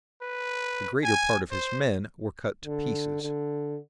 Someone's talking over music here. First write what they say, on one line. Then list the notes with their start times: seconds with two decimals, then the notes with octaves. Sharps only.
The greater part of his men were cut to pieces.
0.22 B4
1.04 G#5
1.51 C5
2.65 D3
3.22 D3